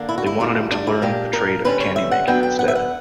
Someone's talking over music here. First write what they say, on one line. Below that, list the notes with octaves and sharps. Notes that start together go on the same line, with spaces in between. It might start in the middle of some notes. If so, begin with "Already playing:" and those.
They wanted him to learn the trade of candy making instead.
Already playing: D3 A#3 D4
E4
F#4
E4
F#2 D3 G3 A#3
D4
E4
A#2 A#3 D4 G4
A#4
D3 G3 C#4 B4
C#5
E5
F#5
D3 F#3 B3 D4 G5
G5
F#5
E5
F#5